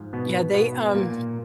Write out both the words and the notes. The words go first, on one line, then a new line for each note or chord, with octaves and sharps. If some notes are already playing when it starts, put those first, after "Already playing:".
Yeah, they, um
Already playing: G#2 F3
B2 B3
B2 B3
A#2 A#3